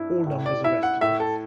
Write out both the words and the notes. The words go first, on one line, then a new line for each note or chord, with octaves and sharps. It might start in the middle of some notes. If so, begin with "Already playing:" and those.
All numbers are estimates.
Already playing: G2 E4
A2
D5
E4 E5
F#5
A2 E5
A4